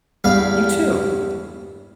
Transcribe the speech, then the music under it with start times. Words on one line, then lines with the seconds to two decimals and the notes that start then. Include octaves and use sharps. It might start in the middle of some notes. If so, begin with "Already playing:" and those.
You too.
0.24 E2 G2 F5